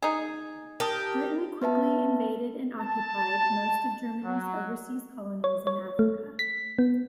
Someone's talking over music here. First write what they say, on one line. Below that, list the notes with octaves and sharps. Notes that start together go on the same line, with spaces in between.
Britain quickly invaded and occupied most of Germany's overseas colonies in Africa.
D#4 G#4
G4 A#4 A5 D#6
B3 B4 E5 A5
A5
F#3
C#5
C#5
A3
B6
B3